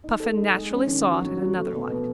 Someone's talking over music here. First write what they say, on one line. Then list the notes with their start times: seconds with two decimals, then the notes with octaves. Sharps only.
Puffin naturally saw it in another light.
0.04 D#4
0.20 A4
0.37 D#4
0.54 G#3
0.71 C#4
0.87 D#3
1.04 F#4
1.21 F#3
1.37 F#4
1.54 A3
1.72 B2
1.88 B2